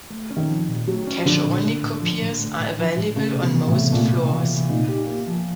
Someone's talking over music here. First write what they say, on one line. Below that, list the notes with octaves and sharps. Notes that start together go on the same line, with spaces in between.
Cash-only copiers are available on most floors.
A3
C#4
D#3
F3
A#2
F#3 A3
C#4
D3 F3
A#2
A3
A2
F3
A2
A3
A2
F3
A2
C#3 A3
C3
B2
E3
A2
C3
A#2 A3
C3
E3
C3
A#2 D#4
G4
A#3
F3